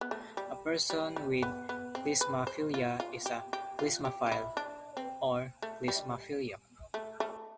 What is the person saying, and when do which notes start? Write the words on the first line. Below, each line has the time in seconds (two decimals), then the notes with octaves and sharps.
A person with klismaphilia is a "klismaphile" or "klismaphiliac".
0.01 B3
0.11 A3
0.37 G3
0.90 G3
1.16 G3
1.43 B3
1.69 B3
1.95 C4
2.21 B4
2.47 C5
2.74 F4
3.00 F4
3.26 G4
3.53 G4
3.79 F4
4.05 G4
4.26 F4
4.32 E4
4.57 D4
4.97 C4
5.62 A3
5.88 G3
6.94 A3
7.20 A3